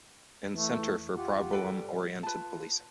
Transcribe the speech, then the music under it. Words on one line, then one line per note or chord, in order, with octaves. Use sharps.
In Center for Problem-Oriented Policing.
E3 A3
F4 G4 F#5
A4 B4 G5
G3
F4 B4 A5